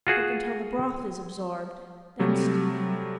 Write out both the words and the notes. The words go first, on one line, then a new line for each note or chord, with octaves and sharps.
Cook until the broth is absorbed, then steam.
F4 F#4 G#4
C3 F#3 G3 A3